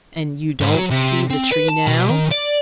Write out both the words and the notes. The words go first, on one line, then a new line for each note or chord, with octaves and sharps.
"And you don't see the tree now?"
G#2
F#3
C3
C4
B4
A5
B2
D#3
D5